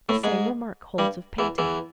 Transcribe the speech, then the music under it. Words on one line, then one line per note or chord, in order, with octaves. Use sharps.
The same remark holds of painting.
A2 A3
G#2 G#3
G2 G3
E2 E3
E2 E3